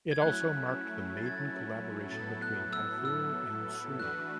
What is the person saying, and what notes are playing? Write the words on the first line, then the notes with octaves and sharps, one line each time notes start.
It also marked the maiden collaboration between Kathir and Soori.
G#6
F#3 A3 C#4 E4 F#6
A6
G#6
A6
A2 F#3 B3 E4 A4 A6
F#6
E6
E6
E3 A3 D4 F#4 B4 F#6